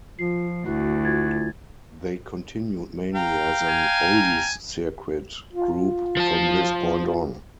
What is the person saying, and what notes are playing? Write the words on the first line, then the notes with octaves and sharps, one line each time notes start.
They continued mainly as an "oldies circuit" group from this point on.
F3 F4 C7
D2 E4 F#4
F4 G#6 A6
F5 G5 A#5
G#5
F4
F3 A5